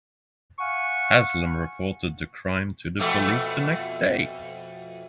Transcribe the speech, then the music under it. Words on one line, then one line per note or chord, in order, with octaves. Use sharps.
Haslem reported the crime to the police the next day.
F5 F#5 G#5 C#6
F2 B2 A3